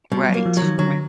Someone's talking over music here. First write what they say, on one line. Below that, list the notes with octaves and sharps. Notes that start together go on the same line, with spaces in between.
Right, right.
B2 G3
F#3 A#3
F3
F#3
D#3
D3 F#3